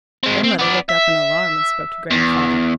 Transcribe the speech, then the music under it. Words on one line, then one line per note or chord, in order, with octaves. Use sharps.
Grandmother looked up in alarm and spoke to grandfather.
G#3 C4
C4
B3 D5
E5
E2